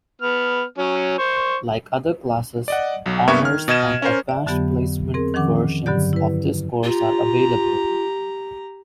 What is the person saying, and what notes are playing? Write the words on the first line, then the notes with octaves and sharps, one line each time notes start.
Like other classes, Honors and Advanced Placement versions of this course are available.
B3 F6
F#3 C#4
C5 C#6
D5 D#5 F#5
B1 F#3
G2 A#3 B3 E5 C#6 G#6
D#3 F6
B2 D#5 G#6 E7
C#4 A#4 C5
D5 E5
F2 D3 F#3 B3 G4 B5
C4 G#4 A#4
D#3 F3 C#4 F#5 D6
G2 D3 F#3 G4 D5 G6
E4 B4
F4 G4 A#5